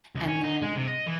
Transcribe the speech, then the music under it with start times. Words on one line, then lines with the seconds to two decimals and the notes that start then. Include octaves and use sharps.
and then,
0.16 C#2
0.28 C#4
0.44 D#4
0.62 G#3
0.76 C3
0.87 D#5
1.06 E3